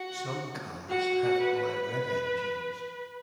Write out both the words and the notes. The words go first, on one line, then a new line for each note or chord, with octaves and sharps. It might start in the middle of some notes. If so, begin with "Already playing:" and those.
Some cars have high rev engines.
Already playing: F#4 F#5
F#4 F#5
B4